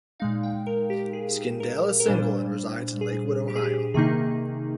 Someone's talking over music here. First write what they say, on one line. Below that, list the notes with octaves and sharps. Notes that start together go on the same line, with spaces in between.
Skindell is single and resides in Lakewood, Ohio.
A#2 G#3 D#4 F5
G5
A#4
G4
G#4
A#4
A#4
A#2 G3 D4 C5
G#4
G4
G#4
G4
C3 D#3 A#3 D#4 G#4